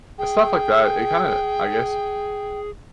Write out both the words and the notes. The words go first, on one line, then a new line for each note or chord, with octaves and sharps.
stuff like that, it kinda, I guess,
G#4 G5